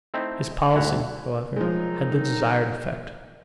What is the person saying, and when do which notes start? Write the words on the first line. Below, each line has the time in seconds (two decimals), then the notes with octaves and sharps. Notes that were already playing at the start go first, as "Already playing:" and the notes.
His policy, however, had the desired effect.
0.14 A3 C4 D#4 E4
0.75 D2 G#2 E4 F#5 A#5
1.56 D#3 F3 F#3 G#3 D#4